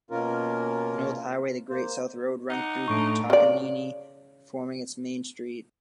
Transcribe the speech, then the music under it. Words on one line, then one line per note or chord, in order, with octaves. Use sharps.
An old highway, the Great South Road, runs through Takanini, forming its main street.
B2 A#3 C#4 F4 A#4
A#3 C5
D#4 F#5
A2 D4 C#6 D7
C#3 D5